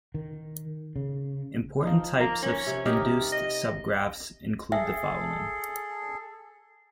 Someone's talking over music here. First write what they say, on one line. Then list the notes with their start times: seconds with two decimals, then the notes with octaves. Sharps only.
Important types of induced subgraphs include the following.
0.14 D#3
0.96 C#3
1.83 F3 D#4
2.20 A#3
2.43 C#4
2.67 C3
2.85 D#4 G4 A#4
3.32 D#5
4.72 G#4 A4 E5